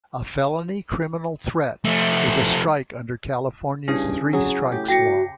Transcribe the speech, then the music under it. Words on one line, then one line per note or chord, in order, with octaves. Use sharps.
A felony criminal threat is a strike under California's three strikes law.
F3 A3
G2 C#3 E4 G#4
C#3 F#3 G#4
C#3
A2 G4
F#4 G5 A#6 C#7